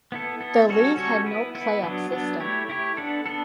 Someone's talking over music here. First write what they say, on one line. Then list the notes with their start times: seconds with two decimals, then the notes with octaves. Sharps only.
The league had no playoff system.
0.12 B3 E4 A4
0.41 B3 E4 A4
0.69 G3 C#4 F#4 A4 C#5
0.97 G3 C#4 F#4 A4 C#5
1.26 B3 E4 B4
1.55 B3 E4 B4
1.83 F#3 B3 D4
2.12 F#3 B3 D4
2.40 A3 E4 G4 C#5
2.69 A3 E4 G4 C#5
2.97 B3 D4 A4
3.26 B3 D4 A4